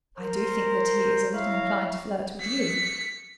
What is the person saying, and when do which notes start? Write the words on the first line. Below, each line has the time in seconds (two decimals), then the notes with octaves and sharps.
"I do think that he is a little inclined to flirt with you."
0.18 A#4 C5
1.34 E4 C#5 E5 F5 A#5
2.41 B6 C#7